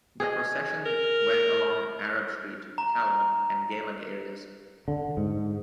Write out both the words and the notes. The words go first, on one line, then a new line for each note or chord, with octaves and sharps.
The procession went along Arab Street, Kallang and Geylang areas.
G#4 D#5
A#4
A#5
D3
G#2